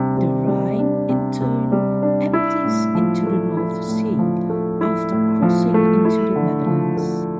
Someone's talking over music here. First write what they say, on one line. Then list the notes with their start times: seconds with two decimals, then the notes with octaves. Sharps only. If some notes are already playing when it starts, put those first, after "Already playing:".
The Rhine, in turn, empties into the North Sea after crossing into the Netherlands.
Already playing: C3 G3 D4
0.17 C3
0.47 G3
0.79 D4
1.09 C3
1.41 C3
1.72 G3
2.02 D4
2.33 E4
2.64 A2
2.95 F3
3.27 A3
3.57 E4
3.88 A2
4.19 F3
4.50 A3
4.81 E4
5.12 A2
5.42 F3
5.74 A3
6.05 E4
6.36 D3
6.66 F3
6.97 A3